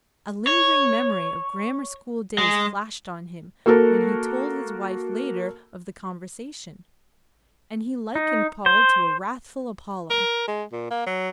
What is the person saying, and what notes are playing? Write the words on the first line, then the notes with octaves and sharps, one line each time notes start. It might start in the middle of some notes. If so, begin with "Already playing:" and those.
A lingering memory of grammar school days flashed on him when he told his wife later of the conversation, and he likened Paul to a wrathful Apollo.
C#5
G#3
A#3 F#4 A4 A#4
D#4
C5
A#4
G#3
A#2
A#3
F#3